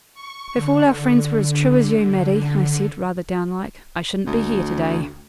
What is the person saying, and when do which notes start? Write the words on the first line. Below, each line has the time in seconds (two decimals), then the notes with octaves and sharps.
'If all our friends were as true as you, Maddie,' I said, rather down-like, 'I shouldn't be here to-day.'
0.14 C#6
0.55 D3
4.27 D2